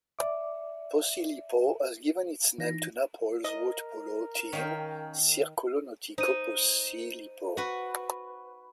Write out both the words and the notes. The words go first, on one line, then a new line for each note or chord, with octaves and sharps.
Posillipo has given its name to Naples' waterpolo team, Circolo Nautico Posillipo.
D5 E5 D6
E3 D#4 A#6
A#4 D#5
D#3 C#4 F5 G5
D#4 C5 D#7
F#4 B4